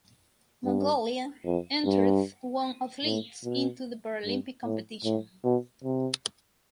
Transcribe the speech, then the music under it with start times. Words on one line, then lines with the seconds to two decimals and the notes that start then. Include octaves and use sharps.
Mongolia entered one athletes into the Paralympic competition.
0.65 G2
1.45 F2
1.85 G2
3.05 A2
3.44 B2
4.25 G2
4.65 A2
5.04 A2
5.44 B2
5.84 C3